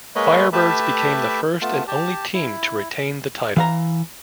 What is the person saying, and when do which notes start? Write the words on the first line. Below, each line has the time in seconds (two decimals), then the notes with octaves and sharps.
Firebirds became the first and only team to retain the title.
0.16 G#3 A#3 B4 C#5 D#5 B5
0.53 A3 G4 B4 E5 A5 B5
1.62 A3 B3 F4 A5
1.87 G4 A5
2.34 E4
3.57 E3 F5 A#5